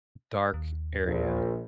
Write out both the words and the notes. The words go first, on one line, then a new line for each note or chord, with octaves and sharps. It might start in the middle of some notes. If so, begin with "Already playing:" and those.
dark area.
D#2
A#1